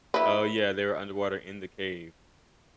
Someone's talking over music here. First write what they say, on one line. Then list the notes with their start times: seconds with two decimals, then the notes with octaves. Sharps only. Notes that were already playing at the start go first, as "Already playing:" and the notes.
Oh, yeah. They were underwater in the cave.
0.14 E4 B4